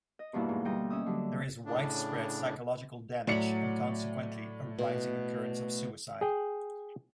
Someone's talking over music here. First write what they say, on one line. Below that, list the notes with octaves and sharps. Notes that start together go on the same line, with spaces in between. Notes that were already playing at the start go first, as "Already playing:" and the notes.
There is widespread psychological damage and consequently a rising occurrence of suicide.
D#5
E2 G2 B2 A#3 E4
G#2
D2 G3 D#5 G5
C#4 E5 D#6
D3 F#3 G3
A2 C#3 D4
A2 F#3 D5 A#5 B5 C#7
B2
G#4 G5